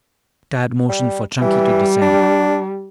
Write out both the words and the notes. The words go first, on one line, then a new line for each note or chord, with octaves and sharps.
Tad motioned for Chunky to descend.
G3
E3 G3
D4